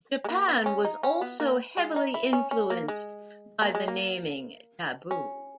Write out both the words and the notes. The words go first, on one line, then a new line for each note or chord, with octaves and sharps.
Japan was also heavily influenced by the naming taboo.
G#3
A#3
B3
C#4
D#4
C#4
B3
A#3
G#3
D#4
E4
C#4
C#4
A#3
G#3
A#3
G#3
A#3
C#4